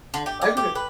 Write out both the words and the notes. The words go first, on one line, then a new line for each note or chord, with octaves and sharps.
I would've
D3
G4
D4
G4
B4